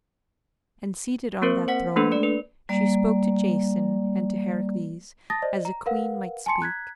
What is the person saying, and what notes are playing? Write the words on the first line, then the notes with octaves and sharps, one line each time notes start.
And seated on that throne she spoke to Jason and to Heracles as a queen might speak.
A#3 C4 A#4 C5
C5 F#5 B6
A3 A#3 D4 A4 B4
D5 C#7
B4
G3 A#3 D5
A5 D#6 A6 A#6
C5 D5 D#5
A#5
A#4 B4 F5 F#5
G#5 A5 C6 C#7
A#5 F#6 G#6 B6